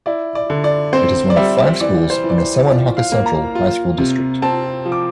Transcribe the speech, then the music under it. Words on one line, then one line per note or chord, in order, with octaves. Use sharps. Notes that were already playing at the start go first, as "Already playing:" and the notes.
It is one of five schools in the Sewanhaka Central High School District.
E4 D5
D5
D3
D5
C4 C5
D5
G3 E5
E3 D5
C5
E3
D5
C5
F4 D5
F5
A#3
A#5
F4
C3
C4 A5
F3
D6